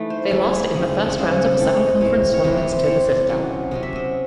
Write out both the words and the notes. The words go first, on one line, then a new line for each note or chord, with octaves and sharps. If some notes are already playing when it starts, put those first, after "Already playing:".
They lost in the first round of the Southern Conference tournament to The Citadel.
Already playing: E3 A3 D#4
C5
E3 A3 D#4 G#4
C#3 G#3 C4
C#3 G#3 C4
E3 G#3 C4 A4
C#5
D#5
E3 G#3 C4 C#5
C#5
C3 E3 C4 D#5
C#5
C5
C3 E3 C4 C#5
C3 F#3 C#4
C3 F#3 C#4 D#5
E5
D#5